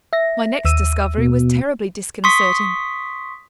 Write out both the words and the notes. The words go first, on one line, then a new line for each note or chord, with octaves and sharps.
My next discovery was terribly disconcerting.
E5 A#6
D#2 E6 D#7
B2
C6 C#6 D#6 B6